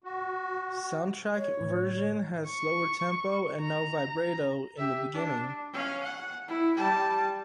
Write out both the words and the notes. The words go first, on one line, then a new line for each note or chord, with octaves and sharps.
Soundtrack version has slower tempo and no vibrato in the beginning.
F#4
C#5
A2 D3
C#6
A#5
G4 E5
D4
C#4 F5
F#5
E4
G3 A5